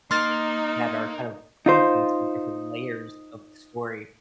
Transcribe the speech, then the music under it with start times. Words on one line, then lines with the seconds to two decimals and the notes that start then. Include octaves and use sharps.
that are kind of pointing to different layers of the story.
0.11 A#3 D#4 C6 F6 A6
1.66 D#4 F4 C5